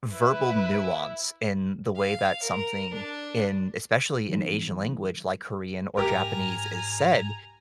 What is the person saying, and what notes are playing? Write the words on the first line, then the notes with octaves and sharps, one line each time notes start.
verbal nuance in the way that something, in especially in Asian language like Korean or Japanese is said,
E4 B4
F5
A#4
D4
C#3 E3 F#3 G3 B3 D#4
G#2 G4 A#4 G#5 A#5